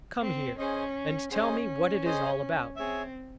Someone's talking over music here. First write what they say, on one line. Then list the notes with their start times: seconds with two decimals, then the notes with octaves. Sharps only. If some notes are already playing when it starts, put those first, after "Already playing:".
"Come here, and tell me what it is all about."
0.22 C4
0.58 C#4 G#4 C5 D#5
1.31 C#4 G#4 C5 D#5
2.04 G#4 C5 D#5
2.76 C4 G#4 C#5 E5